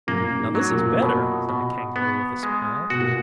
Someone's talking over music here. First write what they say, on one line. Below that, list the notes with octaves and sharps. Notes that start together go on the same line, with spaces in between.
"Now this is better!" said the Kangaroo, with a smile.
F#2 A#2 A#3
G#2
F#3
F#2 A#2
B2
B2
B3
G#3
B2 F#4
A#2